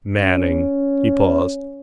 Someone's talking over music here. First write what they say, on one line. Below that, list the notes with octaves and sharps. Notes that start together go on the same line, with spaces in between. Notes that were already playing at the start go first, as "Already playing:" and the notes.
"Manning." He paused.
C#4